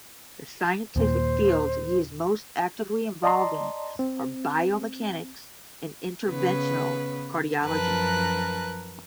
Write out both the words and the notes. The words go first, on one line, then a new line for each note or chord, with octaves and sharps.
The scientific fields he is most actively involved in are biomechanics and interventional cardiology.
D#2 A#2 C5
D5 D#5 A5 A#5 C6
C4
C#3 B3 B4
F#2 F3 A#4 B4 A5 F#6